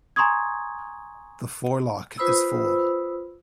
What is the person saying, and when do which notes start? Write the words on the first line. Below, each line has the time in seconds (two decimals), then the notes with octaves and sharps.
The forelock is full.
0.16 G#5 A#5 C6 C#6 D#6 G#6
2.18 F4 B4 C5 B5 D#6 E6